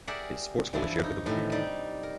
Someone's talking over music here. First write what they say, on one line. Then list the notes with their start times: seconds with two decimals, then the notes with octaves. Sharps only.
Its sports hall is shared with the public.
0.07 G4 G#4 A#4 D5 E5 F#5
0.73 G2 E3 F3 E4 D5 C6
1.03 D#4
1.26 A2 C3 D#3 E3
1.52 G3 D#4 D5
2.03 A#4